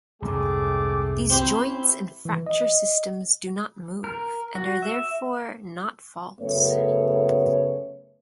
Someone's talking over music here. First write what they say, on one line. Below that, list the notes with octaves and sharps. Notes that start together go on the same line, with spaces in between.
These joints and fracture systems do not move, and are therefore not faults.
C2 F2 G#2 A3 G#4 G5 D6
C4 E4 G4 C5
E3
D#5
A#4
F#4
E5
F#2 C#3 A3 B3 C#5